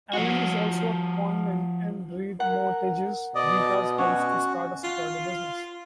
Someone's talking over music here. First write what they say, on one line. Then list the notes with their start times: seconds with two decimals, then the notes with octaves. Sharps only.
Alan is also a conman and re-mortgages Rita's house to start a security business.
0.13 F3 F#4
2.40 A#4 F#5
3.35 B2 D5 D#5
3.98 C#4 F#4
4.84 F4